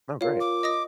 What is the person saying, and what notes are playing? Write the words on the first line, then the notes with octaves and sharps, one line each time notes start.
Oh, great.
F4 A#4 C#5 F5
D6
D#5 D#6 A#6